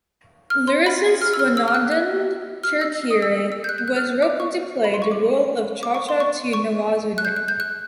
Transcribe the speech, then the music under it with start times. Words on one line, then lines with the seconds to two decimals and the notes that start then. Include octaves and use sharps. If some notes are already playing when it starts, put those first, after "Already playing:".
Lyricist Swanand Kirkire was roped into play the role of chacha to Nawazuddin.
0.50 F6
0.67 C6
0.86 B5
1.21 F6
1.34 E6
1.39 F6
1.57 E6
1.68 F6
1.75 F#6
1.92 F#6
2.63 F6
2.81 E6
3.10 D#6
3.22 E6
3.52 E6
3.64 G6
3.69 F#6
3.78 G6
3.88 F#6
3.96 F6
4.22 D6
4.40 C#6
4.84 B5
4.94 C6
5.02 C#6
5.11 D6
5.83 D6
5.95 C#6
6.09 C6
6.20 C#6
6.53 C#6
7.18 F#6
7.25 G6
7.36 F#6
7.48 G6
7.60 F#6